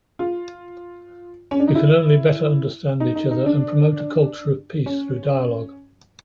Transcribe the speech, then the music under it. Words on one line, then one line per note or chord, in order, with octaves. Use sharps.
We can only better understand each other and promote a culture of peace through dialogue.
F4
C#4
D4
D#4
E4
D#4
D#4
D#4
D4
C#4